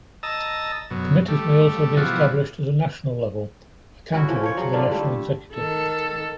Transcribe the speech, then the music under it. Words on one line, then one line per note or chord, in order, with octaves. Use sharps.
Committees may also be established at a national level, accountable to the National Executive.
D#5 A5 A#5 E6
F#2 B2
G3 A3
B2 E3 F3 G3 F#4
C#4 E4 F#4
E3 F3 C#4
F3 C#5
F#3 G#4
D3 D4 E4 F4
G3 A3
D#3 A4